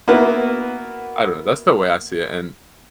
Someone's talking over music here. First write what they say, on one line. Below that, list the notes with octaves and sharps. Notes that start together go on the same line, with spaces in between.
I don't know, that's the way I see it and
A#3 B3 E4 F#4 B4